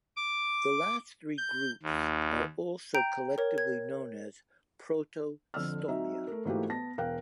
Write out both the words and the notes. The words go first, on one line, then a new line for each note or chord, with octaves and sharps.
The last three groups are also collectively known as Protostomia.
D6
G6
D#2
G5 A#5 G6 D7
A#4 C#5
G#6
F2 D3 E6 F6
F#3 C4 D#4 D#5 E5
A3 A#4
G#2 E3 A3 A#3 F#4 G4
B3 A5 A#6
E1 A#4 F5 G5 F#6